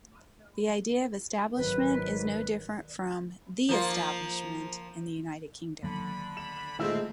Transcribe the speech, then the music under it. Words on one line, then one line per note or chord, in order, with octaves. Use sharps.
The idea of Establishment is no different from "The Establishment" in the United Kingdom.
G#1 D#3 F#3 B4
F3 A#3 F4
D3 D#3 F#3 A#3 B5
E7
A#2 D#3 G#3 A3 C4 F4 E5